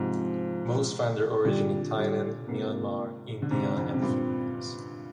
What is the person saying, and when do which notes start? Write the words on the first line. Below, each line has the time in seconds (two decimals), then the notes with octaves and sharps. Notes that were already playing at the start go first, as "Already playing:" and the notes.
Most find their origin in Thailand, Myanmar, India and the Philippines.
Already playing: G#2 C3 F3
1.45 A#2 D3 G3
1.97 G3
2.48 G#2 C3 A#3
3.42 D3
3.51 G#2 C3 C4
3.76 F2 G#2
3.94 C3
4.02 G2 A#2